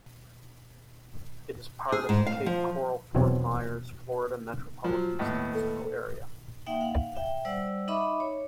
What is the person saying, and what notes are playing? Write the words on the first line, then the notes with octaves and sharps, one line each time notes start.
It is part of the Cape Coral-Fort Myers, Florida Metropolitan Statistical Area.
G#4
G#2
F5
F3
B1 E2 B2 C4 C#5
F3 F#3
D#2 A2 B3
A4
A#3 D#4 E5 F#5 G5
F5 F#5
E5 G5
G3 C5 D5 F#5 E6
D#4 D#5 E5 B5 C#6 D6
C#5